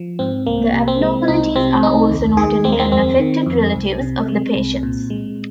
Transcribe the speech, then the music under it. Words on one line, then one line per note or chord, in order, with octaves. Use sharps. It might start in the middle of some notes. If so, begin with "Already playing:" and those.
The abnormalities are also noted in unaffected relatives of the patients.
Already playing: F3
G#2 C4
C2 A#3
C3
C4
G#3
C2 D#4
C3 C4
C2 D#4
D#2
D#3 G#4
D#2 C4
A#3
C4
F2 C4
D#3
F2
C2
C3
G#3
C2
A#2
G#3